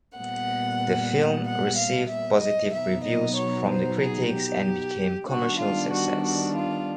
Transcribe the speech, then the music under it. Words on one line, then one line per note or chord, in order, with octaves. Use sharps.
The film received positive reviews from the critics and became commercial success.
A#2 G3 B3 F#5
F#5
F5
E5
D#5
B2 F#3 B3 D#4 E5
D#5
C#5
C5
G#4
G4
D#3 G3 B3 D4 F#4
F4
F#4
F#4
F4